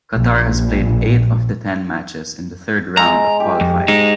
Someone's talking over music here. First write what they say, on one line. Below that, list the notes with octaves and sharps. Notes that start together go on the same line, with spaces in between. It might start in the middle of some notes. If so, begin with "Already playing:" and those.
Qatar has played eight of the ten matches in the third round of qualifying.
A#1
G#3 A#5
G4
F2
G#3 D#4